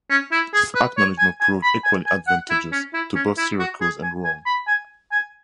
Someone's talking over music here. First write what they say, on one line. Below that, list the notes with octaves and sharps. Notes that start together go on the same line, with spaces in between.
This acknowledgment proved equally advantageous to both Syracuse and Rome.
C#4
E4
G#4
B4
C#5
G#5
G#5
B5
G#5
G#5
F#5
E4
C#4
E4
C#4
E4
F#4
G#4
G#5
G#5
B5
G#5
G#5